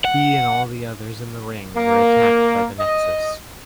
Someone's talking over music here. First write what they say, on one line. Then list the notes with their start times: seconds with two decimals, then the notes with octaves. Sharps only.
He and all the others in the ring were attacked by the Nexus.
0.05 F#5
1.77 A#3
2.80 D#5